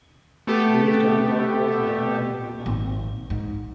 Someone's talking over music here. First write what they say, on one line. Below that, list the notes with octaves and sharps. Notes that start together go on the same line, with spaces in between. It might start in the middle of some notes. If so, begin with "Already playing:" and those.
Based on what was learned at Buna.
A3 B3 G4 A4
G#1
G#2